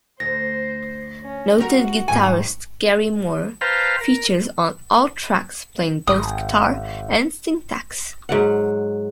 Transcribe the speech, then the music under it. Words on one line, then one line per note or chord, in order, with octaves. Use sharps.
Noted guitarist Gary Moore features on all tracks playing both guitar and synthaxe.
D2 C5 A#6
C#4
G3 F#4 A#4
E2 G#2 D#3 G#5
B4 C5 F5 G5 A5 A#5
A#4
G#1 D#6
G#2 F#3 F#5